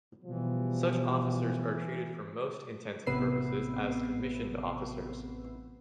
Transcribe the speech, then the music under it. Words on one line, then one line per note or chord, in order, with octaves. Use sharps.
Such officers are treated for most intents and purposes as commissioned officers.
B2 E3 F3 G3
A1 C3 B3 B4 E6 C7